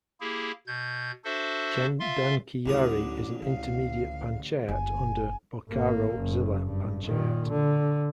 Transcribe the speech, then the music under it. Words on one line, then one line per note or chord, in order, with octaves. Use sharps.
Chandankiyari is an intermediate panchayat under Bokaro Zilla panchayat.
A#3 E4 G4 G#4
B2 G6 G#6
D4 F#4 A4 C5 E5
F4 E5 F5 C6
A1 D2 D3 F#3 D6 D#6
C#2 F5
F#1 G#5
G#1 A#3
F#1
G2
A#2 D#3
D3